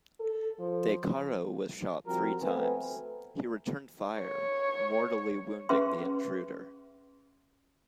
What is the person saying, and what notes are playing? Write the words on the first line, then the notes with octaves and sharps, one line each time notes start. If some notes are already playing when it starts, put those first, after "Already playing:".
De Caro was shot three times; he returned fire, mortally wounding the intruder.
A4
F3
F3 G3 C4 F#4 A#4
A3 B3 C4 B4 E5 G#5
C#5
C#4 G#4 B4 E5 C6